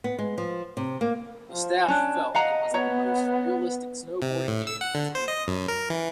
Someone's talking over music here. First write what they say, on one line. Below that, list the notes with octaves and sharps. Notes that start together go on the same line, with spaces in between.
The staff felt it was the most realistic snowboarding game ever made.
B3
G#3
F3
C3
A#3
F3
C#4 D4 A5
D#5 F5 F#5 A#5
B3 C#5 A#5
C3
A2
E6
F#5
D3
C5
D#5
F#2
A#4
E3